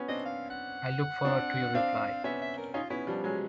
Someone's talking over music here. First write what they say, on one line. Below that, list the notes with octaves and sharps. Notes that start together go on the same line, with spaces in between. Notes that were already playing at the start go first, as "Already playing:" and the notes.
I look forward to your reply.
Already playing: B3 C#4
C4 D4 D#5
F5
F#5
C4 D4
C4 D4 F5
B3 C#4 E5
E5
A#4
C#4 D#4 F4
B3 C#4 E4
F3 G3 D4
F#3 G#3 C#4